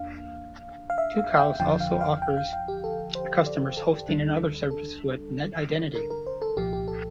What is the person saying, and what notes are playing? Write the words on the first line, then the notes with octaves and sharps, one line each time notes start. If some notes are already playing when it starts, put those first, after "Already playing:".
Tucows also offers customers hosting and other services with NetIdentity.
Already playing: E2 A#3 D4 F5
F5
E5
F5
G5
G1 F2 D3 F3 G5
F5
F5
G5
F5
F5
G4
A4
C5
D5
A4
D2 D3 G3 D4
A4
A#4
A#4
C5
A4
C2 A#2 F3 G4
G4
A4